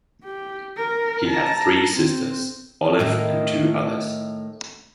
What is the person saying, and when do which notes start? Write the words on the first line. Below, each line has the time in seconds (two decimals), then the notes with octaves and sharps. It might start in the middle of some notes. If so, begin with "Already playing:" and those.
He had three sisters, Olive, and two others.
0.24 G4
0.77 A#4
1.28 A5 A#5
1.94 C4
2.99 A2 D#3 A3